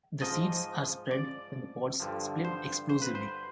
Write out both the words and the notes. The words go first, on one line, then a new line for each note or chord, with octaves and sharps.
The seeds are spread when the pods split explosively.
G#2 F3 D#5
D5
G2 D3 F3
C5
C5
B4
C5